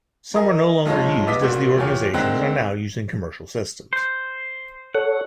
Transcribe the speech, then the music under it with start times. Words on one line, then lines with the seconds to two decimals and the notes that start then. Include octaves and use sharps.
Some are no longer used as the organizations are now using commercial systems.
0.34 A#4 D#5 G#5
0.86 B1 F3 G#3 D#4 C#5
1.26 C2 B3 D#5 D6 D#6 B6
1.42 A#1 A#2 F#4
1.77 E2 F4 G4 C#5 G#5 F6
2.14 D2 D#3 G#3 C4 C5 F#6
3.93 C5
4.94 A4 C#5 F#5